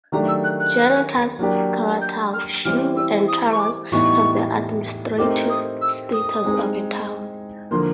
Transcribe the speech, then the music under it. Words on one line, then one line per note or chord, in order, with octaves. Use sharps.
Janatas, Karatau, Shu, and Taraz have the administrative status of a town.
D#3 F#3 A3 D4 G4 A#5
E6
F#6
F#6
F#3 A#3 D4 G4
G6
F6
E3 G3 C4 F6
E6
D#6
C#6
D6
A2 E3 G3 B3 D#4 C#6
A3 C4 D#4 G4 A#4 D6
D#6
E6
D#6
G#3 C4 D#4 G#4
D3 F3 A#3 C6